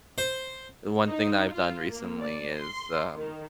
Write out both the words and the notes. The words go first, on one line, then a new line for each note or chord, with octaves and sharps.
The one thing that I've done recently is, um,
C5
D#4
F4
A#3
D5
C6
D#3